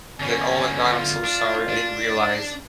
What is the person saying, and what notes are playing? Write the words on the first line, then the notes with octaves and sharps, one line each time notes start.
be, like, "Oh my god. I'm so sorry. I didn't realize,"
B2 D3 C#4 G#5
F4
D4
D4